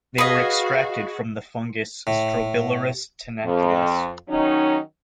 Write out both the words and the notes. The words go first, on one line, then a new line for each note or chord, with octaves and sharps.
They were extracted from the fungus "Strobilurus tenacellus".
F#4 G#4 B4 D#5 F5
A2
F2
D#3 F#3 C#4 D#4